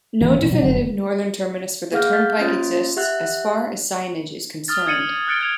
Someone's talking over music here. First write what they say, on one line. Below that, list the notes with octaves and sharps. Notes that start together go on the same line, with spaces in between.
No definitive northern terminus for the turnpike exists as far as signage is concerned.
A1 E3 A#3
A#2 D3 E3
B2 F#3
F1 D3 F#3
A#3 G#4 F5 F#5 F6 G6
F6 G6 A6 B6
A#3 C#4 F4 C5 A6
G4 E5 F#5 F#6
D#6 F6 A6
D#6 G#6 A6 C#7 D#7 F#7
F6 F#6 A6 C#7 D7 G7
F6 G#6 F7